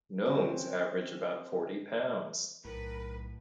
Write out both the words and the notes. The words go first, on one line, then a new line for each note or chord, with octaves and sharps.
Gnomes average about forty pounds.
C4 C#4 F#4
B1 A2 A#4 B4